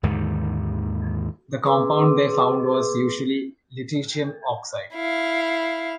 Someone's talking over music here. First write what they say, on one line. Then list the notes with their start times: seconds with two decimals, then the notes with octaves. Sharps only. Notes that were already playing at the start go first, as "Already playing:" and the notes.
The compound they found was usually lutetium oxide.
0.03 D#2 G#2 D3 D#3
1.65 G#4 B4 C6 D6 E6
4.94 E4 F5